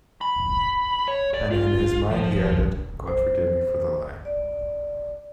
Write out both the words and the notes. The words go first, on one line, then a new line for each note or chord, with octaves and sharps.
And in his mind he added: "God forgive me for the lie."
B5
C#5
D5
F4
F3
C5
D5